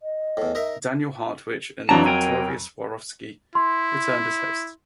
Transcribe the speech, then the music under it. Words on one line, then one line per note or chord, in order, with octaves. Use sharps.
Daniel Hartwich and Victoria Swarovski returned as hosts.
D#5
E2 A2
D#4 A#4 E5
F2 E3 F#3 D4 A5 A#5
A#4 G5 G#5
E4 C6